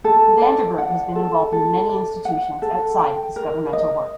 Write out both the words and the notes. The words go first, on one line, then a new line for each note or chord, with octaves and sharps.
Van der Burg has been involved in many institutions outside of his governmental work.
A4
D5
F#5
A4
A4
D5
F#5
A4
G5
A#4
D#5